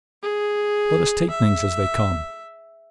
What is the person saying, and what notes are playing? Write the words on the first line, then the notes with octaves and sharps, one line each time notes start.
Let us take things as they come.
G#4
E5